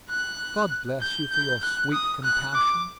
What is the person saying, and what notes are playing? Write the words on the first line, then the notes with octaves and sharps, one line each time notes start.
"God bless you for your sweet compassion!"
F#6
G6
G6
F#6
D#6
F#6
D6